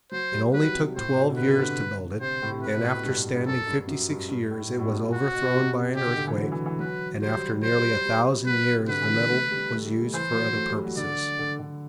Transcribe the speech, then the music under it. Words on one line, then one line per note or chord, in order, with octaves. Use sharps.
It only took twelve years to build it and after standing fifty-six years it was overthrown by an earthquake and after nearly a thousand years the metal was used for other purposes.
F#3 C5
G3
F#3 B4
C3
A2 C5
B2
D3
C3 B4
D3
C3 C5
A2
C3
C3 B4
B2
A2
G2
G2
F#2 A4
G2
F#2
G2
G2
A2
B2
A2
G2
A2
F#4
B2
B2
C3
B2 G4
D3
D3
E3
F#3
E3
E3
F#3 B4
G3 C5
G3
G3
F#3 C5
G3
G3
G3
F#3 B4
C3
D3 B4
E3
G3
A3
G3
A3
G3
G3
E3 C5
F#3
A3
G3
F#3
D3 D5
D3
D3